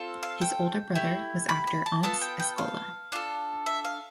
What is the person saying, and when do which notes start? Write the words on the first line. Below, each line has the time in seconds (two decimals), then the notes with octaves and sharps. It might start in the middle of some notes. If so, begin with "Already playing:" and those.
His older brother was actor Ants Eskola.
Already playing: C4 F4 A4
0.23 F5
0.41 G5
0.95 A3 E4 G4
1.49 B5
1.67 B5
1.86 A5
2.03 B3 F4 A4 A5
2.21 G5
2.40 G5
2.58 F5
3.12 D4 F4 A4
3.66 E5
3.85 F5